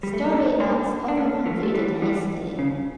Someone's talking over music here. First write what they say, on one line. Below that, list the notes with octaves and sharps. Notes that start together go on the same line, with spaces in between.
Story arcs often concluded hastily.
G3
A3
A#3
A3 C#4
A#3 D4
D4
A3 C#4
F3 A3
A3
E3 G3
E3 G3
C#3